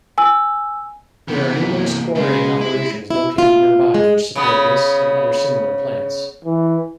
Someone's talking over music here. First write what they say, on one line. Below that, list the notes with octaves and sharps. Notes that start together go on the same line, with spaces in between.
There are numerous quarrying operations located nearby which support this and other similar plants.
G#5 E6
C3 E3 B3
A#3
C#3 G#3
E4
E4
F4
G#3
C#3 B3
E3